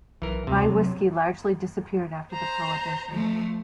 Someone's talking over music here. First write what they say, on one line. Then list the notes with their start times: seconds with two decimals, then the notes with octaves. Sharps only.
Rye whiskey largely disappeared after Prohibition.
0.22 B1 E3 A#4
0.47 D2 C3
0.69 F#3
2.33 C5 A#5
3.09 F3 A3